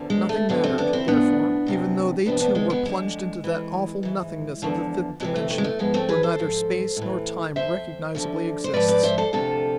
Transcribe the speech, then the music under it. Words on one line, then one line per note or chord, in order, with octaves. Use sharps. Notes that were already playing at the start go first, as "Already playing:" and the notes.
Nothing mattered, therefore, even though they two were plunged into that awful nothingness of the fifth dimension, where neither space nor time recognizably exists.
Already playing: E2 D3 F3
G#3
A3
F2 D3 F3 G#3 B3
A3 C4
B3 D4
C4 E4
A2 F3 B3 D4
D2 C3 F3
D2 C3 F3 B3 D4
B3 D4
G#3 B3
G#3 B3
F2 D3 F3 G#3
F2 E3
G#2 E3
E2 D3 F3
F2 C3 E3 G#3
A3
A3
G#3
A3
G#2 F3 G#3 B3
A3 C4
G#4 B4
A4 C5
G#2 F3
A2 E3
F2 E3 C5 E5
D2 D3 F3
C5
G#2 F3 B4 D5
B4 D5
C5 E5
A4 C5
D2 C3 F3 F4 A4